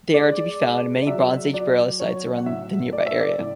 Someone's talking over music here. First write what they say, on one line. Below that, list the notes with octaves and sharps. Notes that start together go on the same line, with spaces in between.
There are to be found, many Bronze Age burial sites around the nearby area.
G#3 D5
G#3
D5
F#3 E5
F#3 D5
F#3 C#5
F#5
A2 E5
A3 D5
E5
D5
A2